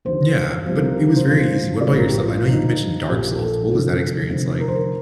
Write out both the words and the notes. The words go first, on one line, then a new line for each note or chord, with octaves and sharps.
Yeah, but it was very easy. What about yourself? I know you mentioned Dark Souls. What was that experience like?
D#2 D3 F3 C5
C2 C3 F3 C5
A#4
G4
A#4
C5
D#2 D3 F3 C5
D5
A#1 A2 F3 C5
A#4
G4
F4
D#2 D3 F3 D#4
A#1 A#2 F3 G4
A4
F1 F2 D3
F1 F2 D3
A#4
C5
A#4